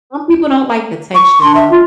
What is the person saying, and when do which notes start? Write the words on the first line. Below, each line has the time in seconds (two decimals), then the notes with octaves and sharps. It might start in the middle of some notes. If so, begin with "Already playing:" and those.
some people don't like the texture though,
1.14 C#6
1.41 D4 C6
1.55 E5
1.71 F4